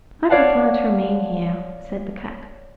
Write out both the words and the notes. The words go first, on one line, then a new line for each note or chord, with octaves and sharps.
"I prefer to remain here," said the cat.
C#5 D5 F5 F#5 A5